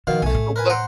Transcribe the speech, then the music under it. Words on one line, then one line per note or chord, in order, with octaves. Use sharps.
But what
B2 D#3 F3 F5
B1 A3 G#5
A2
A#4 B4 G#5
C5 F#5 A#5